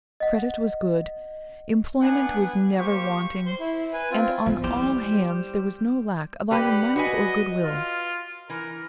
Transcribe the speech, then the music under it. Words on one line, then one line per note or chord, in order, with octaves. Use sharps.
Credit was good, employment was never wanting, and on all hands there was no lack of either money or good-will.
D#5 F#5
B3 D4 B4 F#5 G#5
A#3 G4 C5 C#6
C5 C6
E4
B4 G#5
C4 F4
F3 B3
G3 E4 G4 C5
G3 G4 B4 F#5
F#4 B4 D#5 G#5
F4
E3 A#4